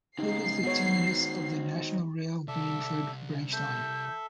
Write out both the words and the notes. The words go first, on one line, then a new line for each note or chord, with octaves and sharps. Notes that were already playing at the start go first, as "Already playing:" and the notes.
It is the terminus of the National Rail Greenford Branch Line.
C#3 G#3 D#4 G4 C7
D#3 B3 F#4 C#5
C2 A4 D5 E5
A4 E5 G6